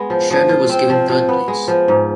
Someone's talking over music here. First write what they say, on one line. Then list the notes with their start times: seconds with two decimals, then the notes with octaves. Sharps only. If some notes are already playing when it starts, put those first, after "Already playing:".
Shredder was given third place.
Already playing: G#3 B3
0.10 F3
0.31 F3
0.49 F4
0.70 C4
0.90 F3
1.10 F3
1.29 B3
1.48 G#3
1.68 F3
1.88 G#2